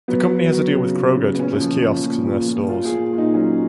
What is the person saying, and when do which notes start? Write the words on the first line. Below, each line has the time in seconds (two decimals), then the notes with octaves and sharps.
The company has a deal with Kroger to place kiosks in their stores.
0.08 F#3 B3
0.30 F#3
0.52 F#3
0.73 C#3
0.96 C#3
1.17 C#3
1.35 B3
1.38 A#2 C#4
1.60 F3
1.82 F3
2.04 A#2
2.25 A#2
2.47 A#2
2.69 A#2 F4
2.85 G#4
2.92 A#2
3.13 A#2
3.18 D#4
3.34 F#3 C#4